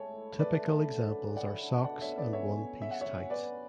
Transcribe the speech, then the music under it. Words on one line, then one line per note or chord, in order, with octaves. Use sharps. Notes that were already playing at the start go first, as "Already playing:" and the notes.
Typical examples are socks and one piece tights.
Already playing: G#3 A3 A4 C#5
E4
A3 B4 D5
D3
F#3
C#4
E4 D5 F#5
D3
B2 D5 F#5
C#5 E5
B2
B4 D5
C#4 C#5 E5
C#4
F#3 E5
F#5
C#5 E5
C#4
B3 B4 D5